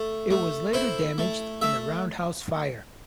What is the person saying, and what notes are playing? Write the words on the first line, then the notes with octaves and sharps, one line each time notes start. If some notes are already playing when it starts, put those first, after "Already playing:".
It was later damaged in a roundhouse fire.
Already playing: A3
A3
E4 C5
A3
A3 E5